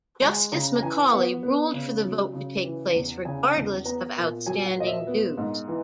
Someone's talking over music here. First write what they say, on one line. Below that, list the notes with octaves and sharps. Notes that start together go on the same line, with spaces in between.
Justice Macaulay ruled for the vote to take place regardless of outstanding dues.
G#3 G#5
C#3 A#5
A#5
E3 G#5
B3 F#5
B3
C#3
F#3
C#3
E3
E2
C#3 G#5
E2
B3 A#5
A#2
F#3 G#5
F#5
A#2 D#5
E5
B3
G#2
E3